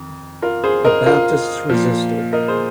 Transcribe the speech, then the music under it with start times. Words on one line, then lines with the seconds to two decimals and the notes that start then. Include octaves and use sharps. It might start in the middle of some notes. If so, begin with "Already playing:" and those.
The Baptists resisted.
Already playing: F2 D#3
0.42 F4 A#4
0.64 G#4 C5
0.85 A#4 D#5
1.06 F4 A#4
1.70 A#2 F3
2.33 A#4 D#5
2.48 G#4 C5